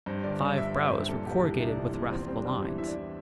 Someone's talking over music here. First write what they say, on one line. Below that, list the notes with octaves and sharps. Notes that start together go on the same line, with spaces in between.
Five brows were corrugated with wrathful lines.
G2 C5
G1 D5
G3 D5
G1 E5
G3
C5
G2
A#2 A4
C2 G4
C2 E4
C2 D4
F3 D4
E4
A#2
E2 C4
G3 C4
D4
G3
E3 E4
E3 E5
D5
E3